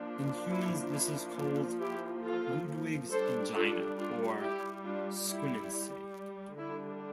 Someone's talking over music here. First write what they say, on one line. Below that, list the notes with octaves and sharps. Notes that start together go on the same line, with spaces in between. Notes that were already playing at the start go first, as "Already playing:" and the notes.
In humans, this is called Ludwig's angina, or squinancy.
Already playing: F3 A#3 D4
E4
E4
D4 F4
E4 G4
F4 A4
G3 D4 A4 C5
F4 A4
D4 F4
E4 G4
D4 F4
E4
D3 G3 D4 E4